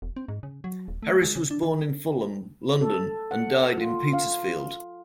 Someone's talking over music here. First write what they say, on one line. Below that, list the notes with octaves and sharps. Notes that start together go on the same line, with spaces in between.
Harris was born in Fulham, London and died in Petersfield.
E1
C4
G#2
C#3
F#3
D#1
A3
G#3
C#3
D4
D#3
A4
F#5
F4
F5